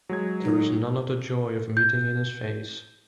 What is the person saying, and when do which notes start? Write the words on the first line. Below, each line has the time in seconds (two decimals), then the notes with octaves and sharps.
There was none of the joy of meeting in his face.
0.09 F#3 G#3 G#6
0.43 D#4
1.77 G6